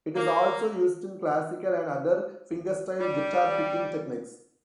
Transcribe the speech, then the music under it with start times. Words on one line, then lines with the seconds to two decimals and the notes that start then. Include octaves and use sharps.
It is also used in classical and other fingerstyle guitar picking techniques.
0.15 A#3
2.99 G3